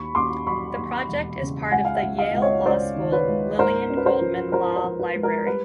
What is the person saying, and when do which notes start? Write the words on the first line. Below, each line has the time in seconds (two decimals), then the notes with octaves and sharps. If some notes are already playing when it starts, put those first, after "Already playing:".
The project is part of the Yale Law School Lillian Goldman Law Library.
Already playing: D#2 B5 C#6
0.15 D#2 C6 D6
0.47 F#3 B5 C#6
0.78 D#2
1.09 E1
1.41 C#3
1.71 C#2 F#5 G#5
1.85 F5
1.95 E5 F#5
2.03 C#2
2.18 D#5 F5
2.34 C#2
2.42 C#5 D#5
2.66 C#2 C5 D5
2.96 D#3
3.12 B4 C#5
3.28 C#2
3.59 G#2 A#4 C5
3.90 C#4
3.97 B4
4.05 A#4 C5
4.21 F3
4.52 F3 A#4 C5
4.76 A#4 C5
4.84 F3
5.00 B4
5.15 G#3
5.23 A#4
5.47 G3 B4